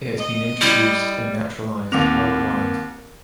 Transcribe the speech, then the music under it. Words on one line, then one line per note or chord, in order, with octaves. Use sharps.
It has been introduced and naturalized worldwide.
D#5
G3 E4
D#2 C4 D6 F7